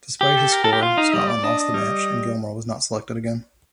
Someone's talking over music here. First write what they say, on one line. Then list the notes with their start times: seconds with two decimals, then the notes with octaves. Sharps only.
Despite his score Scotland lost the match and Gilmour was not selected again.
0.21 G4
0.36 A4
0.52 A#4
0.64 A4
0.73 G4
0.82 F4 F5
0.97 D#4
1.13 G3 D#5
1.29 D5
1.44 D4 D#5
1.59 D#5
1.74 G3